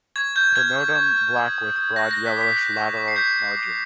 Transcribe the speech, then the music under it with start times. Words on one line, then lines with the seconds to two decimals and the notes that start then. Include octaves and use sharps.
Pronotum black with broad yellowish lateral margin.
0.16 C#6 G#6
0.36 F6 G6
0.56 F6 G#6
0.76 C#6
0.96 C#6
1.16 F6
1.36 D#6
1.56 D#6
1.76 D#6
1.96 F#6 A#6
2.11 A#6
2.17 F#6
2.26 B6
2.36 D6
2.41 B6
2.56 F#6
2.77 C#6
2.97 C#6
3.08 C7
3.16 G6 B6
3.37 G6
3.57 D6